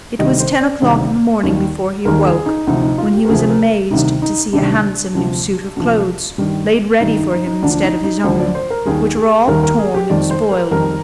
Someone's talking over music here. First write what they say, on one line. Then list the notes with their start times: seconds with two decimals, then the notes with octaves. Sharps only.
It was ten o'clock in the morning before he awoke, when he was amazed to see a handsome new suit of clothes laid ready for him, instead of his own, which were all torn and spoiled.
0.19 D2 C3 D#3 G3 D#5
0.40 C5
0.60 D5
0.82 D2 C3 D#3 G3
1.43 D#2 D#3 G3
2.05 D#2 D#3 G3 A#4
2.25 G#4
2.46 D#4
2.67 D2 C3 F3 D#4
2.82 D#4
2.98 F4
3.14 G4
3.25 A#4
3.29 D2 C3 F3 G#4
3.50 A#4
3.91 D2 C3 D#3 G3 D#4
4.22 D#4
4.53 D2 C3 D#3 G3 D4
5.15 D2 C3 F3
5.76 D2 C3 F3
6.38 G2 D#3 G3
7.00 G2 D#3 G3 D#4
7.16 D#4
7.31 D#4
7.46 D#4
7.63 D2 D3 F3 D4
7.83 D#4
8.04 D#4
8.24 D2 D3 F3 C5
8.40 D5
8.55 C5
8.70 A#4
8.85 D#2 D#3 G3 G#4
9.16 G#4
9.47 D#2 D#3 G3 A#4
9.63 A#4
9.79 G#4
9.94 G4
10.10 F2 D#3 G3 D5
10.31 C5
10.51 A#4
10.71 F2 D#3 G3 A#4